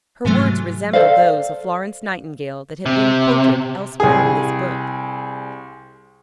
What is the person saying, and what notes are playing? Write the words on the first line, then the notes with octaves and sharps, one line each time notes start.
Her words resembled those of Florence Nightingale that have been quoted elsewhere in this book.
G#2 C3 E3 F#3 A3
A4 C5 D5 F5
C3
C2 G#4